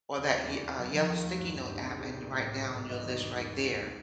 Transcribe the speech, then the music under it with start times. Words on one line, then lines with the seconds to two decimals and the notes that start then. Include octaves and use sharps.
or that y uh, yellow sticky note app and write down your list right there.
0.17 D#2 D5
0.32 G#3
0.47 E2 G#4
0.62 B3
0.77 F#1
0.93 F3
1.08 D#2
1.23 A3
1.38 G2 F#4
1.54 G2
1.68 C2 G4
1.79 G#4
1.84 C2
1.89 G#4
1.99 A1 G4
2.14 A1
2.30 A2
2.44 A2
2.60 G#2 A4
2.74 G#2 D5
2.90 E1 D#5
3.05 D#3
3.21 E2
3.36 G#3
3.50 D#2
3.66 A3